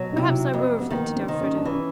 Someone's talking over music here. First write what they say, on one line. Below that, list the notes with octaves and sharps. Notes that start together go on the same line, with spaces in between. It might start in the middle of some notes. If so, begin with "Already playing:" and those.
"Perhaps I will," reflected Elfreda.
Already playing: B2 F#3
D#4
C3 E4
F2
B3
D#3 A#3
C4
D#3
C#4
D4
E3 C#4